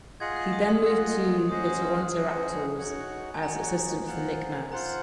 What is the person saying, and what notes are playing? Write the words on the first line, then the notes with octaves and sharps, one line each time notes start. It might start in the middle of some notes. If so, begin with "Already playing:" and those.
He then moved to the Toronto Raptors as assistant for Nick Nurse.
F4 G#4 D#5 F#5 G#6
F#6
D#6
C6
F4 G#4 D#5 F#5
C#4 G#4 C5 D#5 F#5 D#6
D#6
F6
F#6
C#4 G#4 C5 D#5 F#5 G#5
D#4 F#4 C#5 F#5
G#5
D#4 F#4 C#5 F#5 A#5
F4 C5 F#5 A#5
F4 C5 F#5 A#5